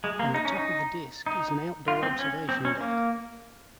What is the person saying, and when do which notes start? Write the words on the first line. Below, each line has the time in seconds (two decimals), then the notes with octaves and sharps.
On the top of the disk is an outdoor observation deck.
0.04 G#3
0.19 A#3
0.34 D#4
0.45 C#4
0.56 D#4
1.26 D#4
1.88 F4
2.03 C4
2.19 C#4
2.49 C4
2.65 C#4
2.81 A#3